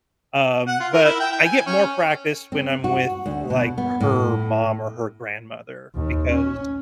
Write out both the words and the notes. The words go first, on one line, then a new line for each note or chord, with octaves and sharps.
um, but I get more practice when I'm with, like, her mom or her grandmother because
F#5
F4
A#4
E4
G5
G5
G#5
C#4
C4
F#4
D2
B2
B3
A2
D#2
C#4